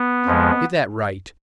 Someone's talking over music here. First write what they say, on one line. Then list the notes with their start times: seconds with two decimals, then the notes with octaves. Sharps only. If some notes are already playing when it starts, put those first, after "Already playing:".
Get that right.
Already playing: B3
0.26 F2 F3 G#3